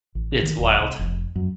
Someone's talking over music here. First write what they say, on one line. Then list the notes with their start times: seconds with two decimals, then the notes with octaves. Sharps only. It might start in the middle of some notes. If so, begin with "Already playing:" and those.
It's wild.
0.15 A1
0.43 D#3
0.59 D1
0.80 C2
0.99 F1
1.36 F#2